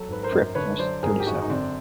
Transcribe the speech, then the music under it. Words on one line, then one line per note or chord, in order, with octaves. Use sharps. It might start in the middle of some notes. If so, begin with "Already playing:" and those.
Fripp was thirty-seven.
Already playing: F#3 A4
G#1 B4
A#4 C5
F#2
D3 B4 C#5
F#3 C5 D5
G#1 G#4 A#4
G4
F#2 F#4 G#4
D#4
D3 C4 D4